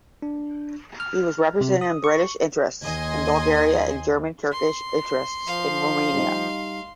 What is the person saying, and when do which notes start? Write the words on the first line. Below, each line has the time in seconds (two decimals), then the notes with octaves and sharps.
He was representing British interests in Bulgaria and German and Turkish interests in Romania.
0.22 D4
1.00 F6
1.61 C3
1.81 D#6
2.04 C#6
2.84 D#2 D#5 G#5 C6
4.52 C6
5.47 F3 F5
6.14 G3 D#4